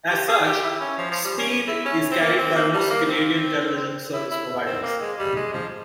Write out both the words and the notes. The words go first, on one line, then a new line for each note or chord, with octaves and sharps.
As such, Speed is carried by most Canadian television service providers.
G4
G#4
G4
E4
C#4
F3
F3
G3
C#4
E4
C#4
C4
A#3
C4
A#3
G3
A#3
C4
E4
E4
C4
A#3
G#3
G3
G#3
F3